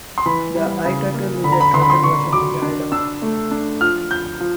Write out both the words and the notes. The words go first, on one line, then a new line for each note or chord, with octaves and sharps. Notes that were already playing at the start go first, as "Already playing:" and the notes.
The iTurtle is a turtle version of the iDog.
C6
E3 B5
G3
C#3
A#3
D3 B5
A#5
B5
D3 C6
B5
C6
D3 C#6
F#3 D6
D4
D4 E6
A3
D4
F3 F6
F3 G6
F3